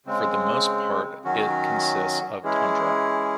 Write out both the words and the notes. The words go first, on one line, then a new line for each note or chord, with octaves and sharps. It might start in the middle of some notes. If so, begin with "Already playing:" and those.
For the most part it consists of tundra.
C#3 G#3 C4
D#3 F#3 C#4 F#4
E3 G#3 C#4 E4 G#4